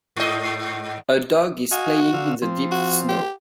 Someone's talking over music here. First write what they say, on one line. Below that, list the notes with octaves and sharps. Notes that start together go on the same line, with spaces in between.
A dog is playing in the deep snow.
G#2 D#5
F#4 D#5 F5 G#5
D3 F5 E6
F3 C4
F#4
G4